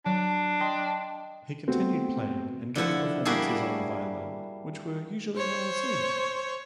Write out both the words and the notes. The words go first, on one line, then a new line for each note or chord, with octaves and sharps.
He continued playing and gave performances on the violin, which were usually well received.
F#3 D4
D#5 G5 C6
A3 B3 C4 F#4 G4
D3 F3 E4 F#5
G3 A#3 D4 E4 F#4 G#4
C5 C#5